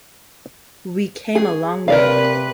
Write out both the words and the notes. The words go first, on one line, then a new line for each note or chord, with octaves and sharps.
We came a long way.
G#4
C3 A#4 B4 D5 F5